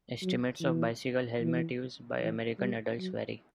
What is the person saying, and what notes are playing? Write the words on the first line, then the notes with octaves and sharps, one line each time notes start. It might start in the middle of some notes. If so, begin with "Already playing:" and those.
Estimates of bicycle-helmet use by American adults vary.
F#3
E3
E3
E3
G3
F#3